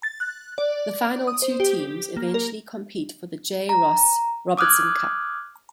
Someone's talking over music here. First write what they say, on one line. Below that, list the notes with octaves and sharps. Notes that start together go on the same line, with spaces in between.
The final two teams eventually compete for the J. Ross Robertson Cup.
A6
F#6
D5
D#6
C5
G4
A#3
A#4
A#5
D6 D#6 F6 F#6 G#6